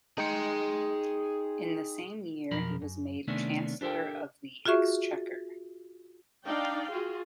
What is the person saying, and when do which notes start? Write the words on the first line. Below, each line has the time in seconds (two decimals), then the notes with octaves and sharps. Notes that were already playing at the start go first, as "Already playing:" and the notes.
In the same year he was made chancellor of the exchequer.
0.18 D#4 G#4 G5 C6 C#7
2.51 B1 F2 F3 A#4 B5
2.82 F#2
3.28 C3 D#3 A3 B3 C#4 D4
3.81 D4 G4 A4 A#4 G5
4.66 F4 F#4 G#4 E5 C#6
6.45 D4 D#4 D5 F5 G5
6.91 F4 F#4 G#4